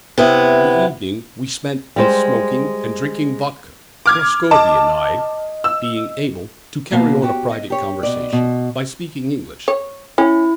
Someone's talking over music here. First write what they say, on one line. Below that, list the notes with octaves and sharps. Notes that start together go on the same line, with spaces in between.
The evening we spent in smoking and drinking vodka, Prascovie and I being able to carry on a private conversation by speaking English.
C3 B3 E4
G3 G#3 C5
D6 F6 G#6
D#5 A5 D6
E6
B2 A#3 F5
F#4 G4 C#5
D#5
G4 C#5
B2 D5
B2
C#5
C#4 E4